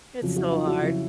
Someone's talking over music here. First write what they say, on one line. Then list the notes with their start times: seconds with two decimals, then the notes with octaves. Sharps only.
It's so hard.
0.22 F2 C#3 F#3
0.36 E4 F#4
0.52 D#4 F4
0.67 E4 F#4
0.82 F2 C#3 F#3 E4 F#4